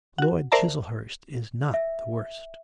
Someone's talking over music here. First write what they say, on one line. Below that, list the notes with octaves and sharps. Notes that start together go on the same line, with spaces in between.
Lord Chiselhurst is not the worst.'
F#4 F#5
A#4 C5 D5 E5 A5 A#5
E5